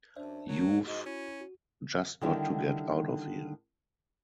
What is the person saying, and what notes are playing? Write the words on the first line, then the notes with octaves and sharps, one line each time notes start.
You've just got to get out of here!
F#2 D4 C5 D5 E5
F#3 A3 A#4
G#2 F#4 D#5
C#4 E4
F#4
D3 D#3 G3 E4 G4